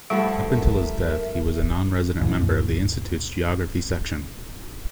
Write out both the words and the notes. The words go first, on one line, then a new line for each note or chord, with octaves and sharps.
Up until his death he was a non-resident member of the Institute’s geography section.
G2 F3 G3 A3 F#5 C#6
A#4 E5
C#2 F#2 A#2 E3